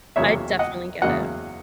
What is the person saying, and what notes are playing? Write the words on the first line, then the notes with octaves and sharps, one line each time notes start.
I definitely get it.
E2 C#3 F#3 A#3 C#5 E5
D#5 F#5
E2 C#3 F#3 A#3 D#5 F#5